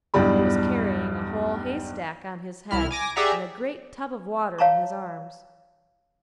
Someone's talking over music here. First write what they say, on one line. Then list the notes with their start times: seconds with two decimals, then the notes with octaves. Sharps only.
He was carrying a whole haystack on his head and a great tub of water in his arms.
0.14 B1 E2 G2 G3 B5
2.71 C2 E4 F6
2.91 G#5 D6 A#6
3.16 G4 G#4 D5 E5 F#5 A#5
4.59 C#5 F5 A5 A#5 C#6